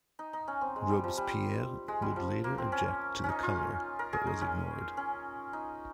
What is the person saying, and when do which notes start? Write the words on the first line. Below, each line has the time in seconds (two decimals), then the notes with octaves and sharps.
Robespierre would later object to the color, but was ignored.
0.19 D#4
0.33 D#4
0.48 C#4
0.61 C4
0.76 G#3
0.90 G3
1.04 F3
1.17 G3
1.88 G#3
2.02 G3
2.16 F3
2.44 A#3
2.58 C4
2.72 C#4
3.24 C#4 D#4
3.43 F4
3.99 A#4
4.13 G#4
4.27 D#4
4.42 C#4
4.97 C#4
5.53 D#4